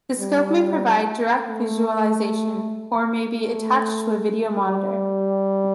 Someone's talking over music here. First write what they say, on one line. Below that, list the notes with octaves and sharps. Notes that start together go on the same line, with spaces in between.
The scope may provide direct visualization or may be attached to a video monitor.
G3
A3
A3
G3